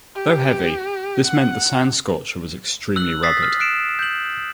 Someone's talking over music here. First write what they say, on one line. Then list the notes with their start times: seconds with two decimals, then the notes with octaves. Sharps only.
Though heavy, this meant the Sand Scorcher was extremely rugged.
0.16 G4
1.26 F#5
2.96 E6 F#6 F#7
3.23 D#6 E6 A6 B6 C7
3.43 F6
3.60 F#6 C7 D7 E7
3.99 G6 F#7